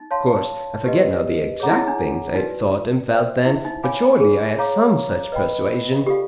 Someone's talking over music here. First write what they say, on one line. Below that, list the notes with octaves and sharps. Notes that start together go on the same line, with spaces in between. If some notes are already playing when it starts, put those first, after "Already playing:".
Of course I forget now the exact things I thought and felt then, but surely I had some such persuasion.
Already playing: D#4
C#5 F5 A5 C6
G4 B4 D#5
G#4 C#5 F#5 A#5 D6
E4
D#4
D4
D#4 F#4 B4 D5
C5 E5 G5
E4
D#4
C#5 F5 G#5 B5 D6
G#4
C#5 F5 A#5 D6
B4 D#5 G5 B5
F4 G4 A4 D5 F5